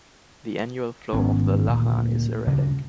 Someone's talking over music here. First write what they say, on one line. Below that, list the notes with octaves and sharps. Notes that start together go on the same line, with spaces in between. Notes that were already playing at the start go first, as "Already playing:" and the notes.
The annual flow of the Lachlan is erratic.
G#1 G#2 B3 C#4
D2 A#2
D2 G2 C#3